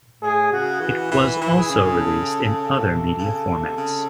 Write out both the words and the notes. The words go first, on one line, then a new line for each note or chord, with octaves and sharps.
It was also released in other media formats.
A2 G#4
C#3 F#4
E3 F#4
E3 E4
E3
G#4
C#3
A4
A4
A2
C3
C#3
C3
C#3